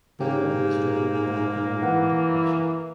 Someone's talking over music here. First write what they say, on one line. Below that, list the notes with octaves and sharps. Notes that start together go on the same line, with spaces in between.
Bell had struggled with alcohol and depression.
G#2 A#3 G4
E3 F#5